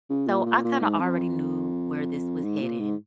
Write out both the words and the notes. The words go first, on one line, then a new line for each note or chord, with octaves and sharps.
So I kinda already knew where this was heading.
C#3
A#2
A#2
A#2
G#2
F2
G#2
A#2
G#2